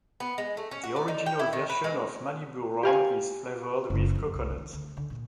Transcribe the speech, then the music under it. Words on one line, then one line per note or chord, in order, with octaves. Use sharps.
The original version of Malibu rum is flavored with coconut.
B3
G#3
A3
C#4
F#4
D5
D#4
G5
E4
D#3
B4
G#3
G4 F5 G#5
F#1
F2
C2
D#3
D2
D3
A#2